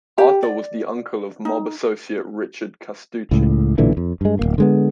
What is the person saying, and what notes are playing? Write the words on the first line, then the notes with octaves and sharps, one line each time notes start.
Arthur was the uncle of mob associate Richard Castucci.
G4
D5
D#4
C#2 A2
B1 A#2 D3 E3
F2
G2 G#3
D1 C2 A#3
D3 G#3 B3